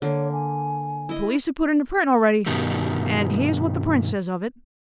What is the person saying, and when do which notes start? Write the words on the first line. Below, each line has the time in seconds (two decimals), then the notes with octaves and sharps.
The police have put into print already, and here's what the print says of it.'
0.02 D3 A#3 C#5
0.32 G#5
1.09 E4 D#5
2.46 G2 B2 D#3 G3